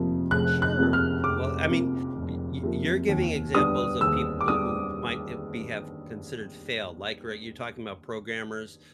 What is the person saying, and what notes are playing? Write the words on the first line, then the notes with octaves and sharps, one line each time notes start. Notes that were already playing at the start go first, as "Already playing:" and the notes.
Sure. Well, I mean, y y you're giving examples of people who might, uh, be have considered failed, like, r you're talking 'bout programmers,
Already playing: F1 F2 C3 F3 A#3
F1 F#6
F#6
F2 C3 F3 A#3
F6
F1 D6
F2 C3 F3 A#3
F1
F2 C3 F3 A#3
D#2
D3 G3 B3 D4 D#6
D#2 E6
D6
D3 G3 B3 D4 D#6